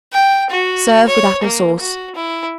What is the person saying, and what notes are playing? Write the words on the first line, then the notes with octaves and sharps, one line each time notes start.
Serve with apple-sauce.
G5
F#4
C#5
A#3
F#4
E4